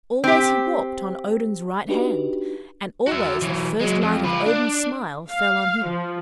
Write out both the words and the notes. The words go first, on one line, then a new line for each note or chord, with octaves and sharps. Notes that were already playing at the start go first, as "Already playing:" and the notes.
Always he walked on Odin's right hand, and always the first light of Odin's smile fell on him.
C4 G4
D4 D#4 F#4 G4 B4
F#4 E5
E3 F#3
F#3 G#3
F2
F4 B4
D4
F5
F3